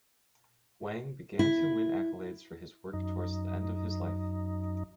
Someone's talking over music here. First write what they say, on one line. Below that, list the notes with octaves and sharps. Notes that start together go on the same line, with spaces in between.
Wang began to win accolades for his work towards the end of his life.
E4
F#2 D#4